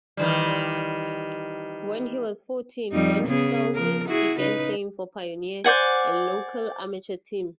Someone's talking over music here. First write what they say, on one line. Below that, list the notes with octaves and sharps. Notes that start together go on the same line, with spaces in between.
When he was fourteen, Gonsalves began playing for Pioneer, a local amateur team.
D#3 E3 G3
F2 G3 D#4
C#3 B3 G#4
F3 A#4
E4 F#4 G#4
C#3 D#4 B4
C5 D5 F#5 G#5